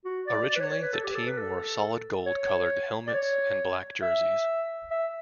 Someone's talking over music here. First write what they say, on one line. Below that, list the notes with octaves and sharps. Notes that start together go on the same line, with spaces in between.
Originally, the team wore solid gold-colored helmets and black jerseys.
F#4
D5
D5
B4
C#5
C#5
B4
A4
G4
A4
B4
A4
C#5
D5
C#5
E5
E5